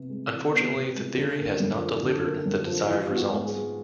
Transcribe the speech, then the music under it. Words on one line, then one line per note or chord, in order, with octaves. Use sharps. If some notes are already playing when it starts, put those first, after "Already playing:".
Unfortunately, the theory has not delivered the desired results.
Already playing: C3 B3
G#3
E3
B3
C3
G#3
D3
A#3
F#2
F3
D3
A#3
F#2
F3
E3 F4
B3
F#4
G#2
G#4
G#3